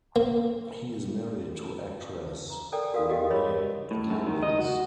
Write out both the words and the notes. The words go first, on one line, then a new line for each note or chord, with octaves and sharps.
He is married to actress Renae Geerlings.
A#3
A#5
A4 A#4 D5 G5 G#5
F#4 A#4 F5 D#6
F#4 G4 D#5 F5
F#4 G#4 A#4 C#5 D#5 B5
A2
F#2
D#3
D#5
F#4